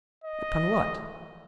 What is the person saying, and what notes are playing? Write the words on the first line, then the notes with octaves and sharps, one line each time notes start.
"Upon what?"
D#5